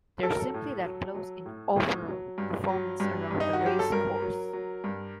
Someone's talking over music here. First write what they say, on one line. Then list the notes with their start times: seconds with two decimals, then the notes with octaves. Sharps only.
They are simply that close in overall performance around the race course.
0.23 F#3 A4
0.30 A#4
0.39 A4
0.54 A2
0.85 F#3
1.14 F#3
1.46 A2
1.76 A2
2.08 F#3
2.38 G2
2.69 F#3
3.00 G2
3.31 G2
3.40 D#4
3.53 F#4
3.61 F#3
3.66 G4
3.79 A4
3.92 G2 A#4
4.22 F#3
4.53 F#3
4.84 G2